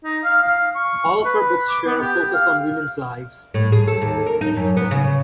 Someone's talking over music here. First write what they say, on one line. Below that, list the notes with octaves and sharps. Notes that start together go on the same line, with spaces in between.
All of her books share a focus on women's lives.
D#4
F5
F5
C#6
B4
D6
B3
G4
F5
A2
G#4
A4
D#2
A#4
D#4
F#2
B3
C#3